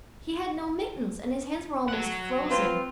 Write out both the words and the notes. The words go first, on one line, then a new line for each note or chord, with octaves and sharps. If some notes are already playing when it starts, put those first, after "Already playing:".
He had no mittens, and his hands were almost frozen.
F#3 F#5
C4 F4 B4 C5